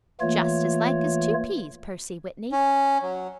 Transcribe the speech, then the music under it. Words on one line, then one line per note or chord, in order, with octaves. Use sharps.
"Just as like as two peas, Percy Whitney."
E3 A3 A#3 F4 C#5
C#4
F#3